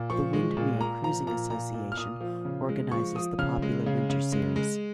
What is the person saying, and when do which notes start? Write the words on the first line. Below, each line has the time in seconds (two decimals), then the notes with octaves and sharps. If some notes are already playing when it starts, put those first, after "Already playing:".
The Windermere Cruising Association organises the popular Winter Series.
Already playing: A#2
0.10 F3 C#6
0.33 G#3
0.57 A#2
0.80 A#2 A#5
1.03 F3 A#5
1.27 A#2 A#5
1.50 A#2 A#5
1.74 A#2
1.92 F6
1.97 A#2 D#6
2.21 F3
2.45 C#3
2.69 G#3
2.91 F3 C#6
3.15 F3 D#6
3.38 C#3 F6
3.62 G#3
3.86 C#3
4.10 C#3
4.32 G#3
4.56 G#3